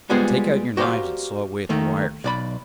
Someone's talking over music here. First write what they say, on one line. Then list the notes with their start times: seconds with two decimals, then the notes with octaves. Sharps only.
Take out your knives and saw away at the wires.
0.10 G3 G#3 B3 F4 G#4 C5
0.77 F#4 G4 A#4 C5 D5 F5
1.69 D#3 A3 A#3
2.24 B1 D5 B5